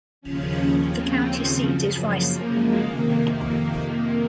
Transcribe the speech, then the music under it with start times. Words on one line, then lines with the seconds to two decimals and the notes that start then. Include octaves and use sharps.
The county seat is Rison.
0.21 D#2 C#3 F3 C#4
0.86 C4
1.52 F#2 C#3 F3
2.17 A#3
2.49 G#3
2.81 F2 C3 D#3 A#3
3.47 A#3